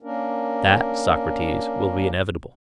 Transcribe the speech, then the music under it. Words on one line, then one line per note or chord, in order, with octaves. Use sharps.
That, Socrates, will be inevitable.
A#3 C#4 D4 A#4